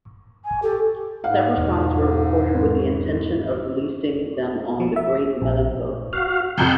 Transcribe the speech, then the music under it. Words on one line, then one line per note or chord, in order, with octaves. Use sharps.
Several songs were recorded with the intention of releasing them on "The Great Milenko".
G#5
G4 A4
G#2 F5 F#5
E1
G#1
F3
E5
A#1
F#4 F5
F2 C3 F#5 C6 G6